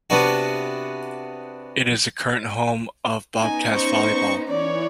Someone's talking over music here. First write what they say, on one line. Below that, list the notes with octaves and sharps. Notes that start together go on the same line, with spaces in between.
It is the current home of Bobcats volleyball.
C3 B3 D4 F#4
B3 C#4 D#4 G#5
C5 C#6
E3 C#5 D5